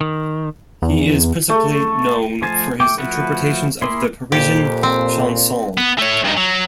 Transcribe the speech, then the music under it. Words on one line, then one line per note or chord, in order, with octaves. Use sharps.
He is principally known for his interpretations of the Parisian chansons.
D#3
E2
A3
F3 A3 C5 G#5 A5
A3 G5 D6
F3 A3 E4 F#4 B4
A#3 E4 G#4 B5 C6
F2 A#2 G4
C4
B3
A3 C#5
G2 D#4
F#3